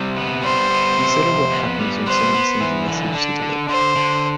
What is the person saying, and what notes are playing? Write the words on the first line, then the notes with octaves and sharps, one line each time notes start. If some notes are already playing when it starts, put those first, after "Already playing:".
Consider what happens when someone sends a message to the list.
Already playing: C3 G3
B3
G3 C5
B3
C3
F2
B3
G3
B3 C5
B3
E3
D3
D4
D3
D3 C5
D3